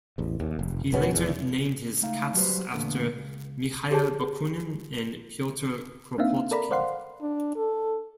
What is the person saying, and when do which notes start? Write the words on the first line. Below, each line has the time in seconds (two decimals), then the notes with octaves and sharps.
He later named his cats after Mikhail Bakunin and Piotr Kropotkin.
0.18 A1 E2
0.40 D#2
0.59 F1
0.92 E1 B2 B3 C#4
1.13 F1 E2
2.02 C#2 A3 D#4 F5
2.34 F#3 G3 F#4 G4 B4 C5
2.74 E2 A#2 D3 A3 B3
3.14 C#2
3.91 G4 G#4 C#5 A5
6.18 A#3 C4 D4 D#4 E5 F5
6.51 A4 A#4 D5 A#5 B5
6.71 C5 D5 F5 F#5 C6
7.22 D4
7.56 A4